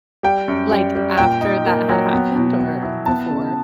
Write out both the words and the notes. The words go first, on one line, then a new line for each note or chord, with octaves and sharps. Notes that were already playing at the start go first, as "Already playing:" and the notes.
like, after that had happened or before?
G3 G5
F#2
G3
G3
A#2 G5
D#4
A#3
F#3
B3
B2
B3
E4
B3 A5
C#3